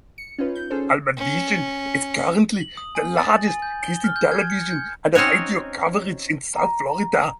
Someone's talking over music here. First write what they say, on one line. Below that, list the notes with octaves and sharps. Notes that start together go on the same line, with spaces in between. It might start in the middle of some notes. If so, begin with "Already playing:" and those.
Almavision is currently the largest Christian Television and radio coverage in South Florida.
C#7
C#4 D#4 F4 B4
G6
C#4 G#4 A4 C5
C#4
F#7
D#6
G#5
A6
G#5
G6
G7
F6
G6
G#6
C#7
G6
C4 C#4 D#4 F#4 C#5
A#5